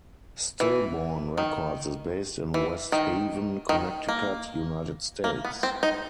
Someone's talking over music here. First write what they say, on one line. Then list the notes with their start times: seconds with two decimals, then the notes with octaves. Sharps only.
Stillborn Records is based in West Haven, Connecticut, United States.
0.60 E3
1.38 D#3
2.54 E3
2.92 D#3
3.69 D#3
4.09 A#3
5.24 A#3
5.45 B3
5.63 C4
5.83 D#4